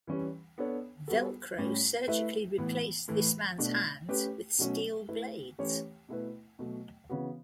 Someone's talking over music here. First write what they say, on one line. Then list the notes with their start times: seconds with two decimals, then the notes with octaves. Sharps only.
Velcro surgically replaced this man's hands with steel blades.
0.07 E3 G3 C#4
0.58 B3 D4 A4 C#5
1.08 G3 B3 F#4 A4
1.58 A2 G3 C#4 G4
2.08 A3 E4 B4 E5
2.58 A2 E3 B3
3.08 A2 E3 A3
3.58 B2 A3 D4
4.09 A3 C#4 G4 B4
4.59 B2 F#3 A3 C#4
5.08 A3 E4 B4
5.58 E3 A3 C#4 G4 C#5
6.09 B2 A3 E4 B4
6.59 B2 F#3 A3
7.09 C#3 E3 B3 F#4